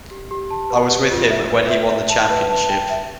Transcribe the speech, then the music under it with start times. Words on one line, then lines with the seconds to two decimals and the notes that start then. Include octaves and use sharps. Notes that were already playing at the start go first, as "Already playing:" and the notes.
I was with him when he won the Championship.
0.11 G4
0.31 G4
0.50 A5
0.70 B4
0.90 G4
1.10 F4
1.30 E5
1.50 B4
1.69 E5
1.90 E5
2.10 A5
2.30 B4
2.50 A5
2.70 G5
2.90 E5